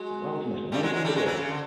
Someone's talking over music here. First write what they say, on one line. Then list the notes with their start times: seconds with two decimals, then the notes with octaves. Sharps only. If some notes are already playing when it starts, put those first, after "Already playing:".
The World's Most Amazing Videos!
Already playing: F#3 G#3
0.72 G3 A3
0.83 F#3 G#3
0.94 F#3 G#3
1.04 G3 A3
1.15 F#3 G#3
1.26 E3 F#3
1.37 C#3
1.48 D3